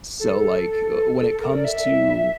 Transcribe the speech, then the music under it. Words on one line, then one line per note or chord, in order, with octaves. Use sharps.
so, like, uh, when it comes to
A4
A4
A4
A#4
D5
E5